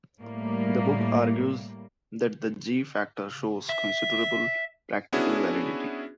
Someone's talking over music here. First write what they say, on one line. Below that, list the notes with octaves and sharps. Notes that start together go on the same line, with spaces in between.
The book argues that the "g" factor shows considerable practical validity.
A2 G3 A#3
E5
B3 C#4 D4 E4 F#4 G#4